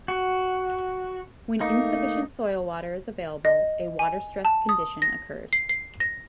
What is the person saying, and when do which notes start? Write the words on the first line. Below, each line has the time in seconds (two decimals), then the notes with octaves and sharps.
When insufficient soil water is available, a water-stressed condition occurs.
0.08 F#4
1.60 A3 A#3 D#4
3.45 D#5
3.99 G#5
4.45 A5
4.69 D#6
5.02 A#6
5.53 C7
5.69 C7
6.00 A#6